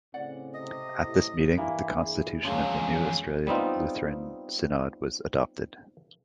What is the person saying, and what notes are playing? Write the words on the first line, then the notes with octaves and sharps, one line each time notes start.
At this meeting, the constitution of the new Australian Lutheran synod was adopted.
A2 C#3 C4 D5 F#5
C3 D#5
A2
G2 E3 A#3
G#4
E2 F3 G#3 C#4 F5
G3 B3 C4 D#4 F4